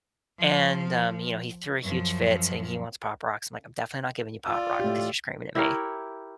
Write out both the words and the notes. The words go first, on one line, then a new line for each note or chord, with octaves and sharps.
And, um, you know, he threw a huge fit saying he wants Pop Rocks. I'm like, "I'm definitely not giving you Pop Rocks 'cause you're screaming at me."
F3
F#2 F3
F4 D5 E6
A2 G4
E4 G4 A#4 C#5